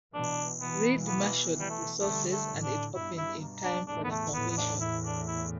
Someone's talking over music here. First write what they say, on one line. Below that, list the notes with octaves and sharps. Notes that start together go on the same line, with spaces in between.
Reed marshaled resources and it opened in time for the convention.
B2 E3 D4
B2 E3 B3
B3
G3
A3
D3 G3 A3
A3
A2 D3
D4
G2 B2 E4
E4
D4
E2 A2 D4
B3
A3
E2 A2 B3
B3
D4
E4
D4
E4